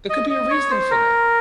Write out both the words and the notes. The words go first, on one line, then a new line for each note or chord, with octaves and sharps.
there could be a reason for that.
D#5
D#5
C#5
C5
A#4